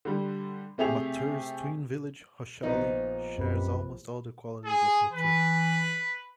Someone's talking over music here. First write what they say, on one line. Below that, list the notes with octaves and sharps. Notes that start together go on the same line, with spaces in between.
Mattur's twin village, Hosahalli, shares almost all the qualities of Mattur.
D3 G3
C3 A3 G4 G#4 F7
A#1 B3 D#4
F#2 C4 G4 B4
G#4
E3 B4